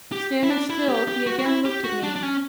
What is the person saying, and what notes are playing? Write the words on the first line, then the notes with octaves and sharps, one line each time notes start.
Standing still, he again looked at me.
G4
E4
D4
E4
G4
G4
F#4
F#4
E4
G4
F#4
D4
D4
C#4